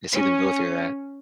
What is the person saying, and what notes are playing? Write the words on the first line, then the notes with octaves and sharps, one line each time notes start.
And to see them go through that.
C#4